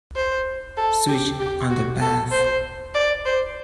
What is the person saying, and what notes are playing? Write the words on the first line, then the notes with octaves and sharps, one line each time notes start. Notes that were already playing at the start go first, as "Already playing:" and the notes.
Switch on the bath.
C5
A4
G4
G4
F#4
A4
C5
D5
C5